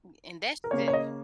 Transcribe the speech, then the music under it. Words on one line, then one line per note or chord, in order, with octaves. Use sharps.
N and that's def
A#4
C#3 A#3 C#4 C#5
C#5
D#5